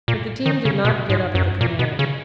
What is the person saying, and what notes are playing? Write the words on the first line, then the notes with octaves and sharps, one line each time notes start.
But the team did not get up at the command.
A#2
D#3
C#3
B2
G#2
F#2
A#2
B2
C#3